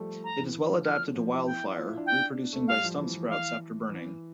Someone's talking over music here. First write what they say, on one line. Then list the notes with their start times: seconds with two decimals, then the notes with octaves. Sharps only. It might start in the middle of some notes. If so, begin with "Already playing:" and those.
It is well adapted to wildfire, reproducing by stump sprouts after burning.
Already playing: F3 G3 A3
0.24 A#5
0.39 E3
0.54 E3
0.70 F3
0.85 F6
1.15 F3
1.30 E4
1.46 E4 G5
1.62 E4
1.77 F4
1.87 E4
1.97 D4
2.06 G5
2.53 A3
2.68 G3 F5
2.84 F3
2.98 E3
3.13 E3
3.29 F5
3.89 E3